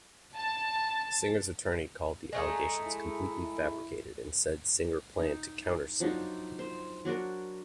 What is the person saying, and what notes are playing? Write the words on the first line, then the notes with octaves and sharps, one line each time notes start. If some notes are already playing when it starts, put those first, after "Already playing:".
Singer's attorney called the allegations "completely fabricated" and said Singer planned to countersue.
A5
G#3 A3 D#4
E4
D#4
F3 F#3 D4 D#4
C5
F#3 D4 F#4 A#4